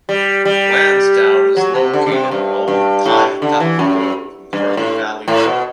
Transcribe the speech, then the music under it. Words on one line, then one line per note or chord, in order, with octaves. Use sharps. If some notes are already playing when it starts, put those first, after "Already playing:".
Lansdowne is located on Old Tai Tapu Road and Early Valley Road.
G3
G3
F#3
C3
D3
D3
C3
G2
G2
A2
D3
E3
F#2
G2
A2
A2
B2